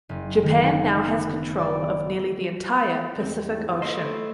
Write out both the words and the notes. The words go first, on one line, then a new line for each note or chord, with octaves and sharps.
Japan now has control of nearly the entire Pacific Ocean.
F#1
D#3
C#6
B3
D5
E2 G#2 G3 C4
A3 A#3 E4 C5 D#5